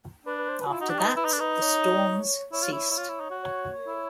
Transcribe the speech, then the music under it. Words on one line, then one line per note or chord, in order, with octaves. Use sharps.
After that, the storms ceased.
D4 B4
B4
C5
B4
F#4
E4 F4
D#4 F#4
D4
D#4 G4
B4
E4 B4
D#4
D4
D#4 B4
C#5
E4 C#5
F4
E4 C#5
E4
F4
E4
D#4
F#4
C#5
E4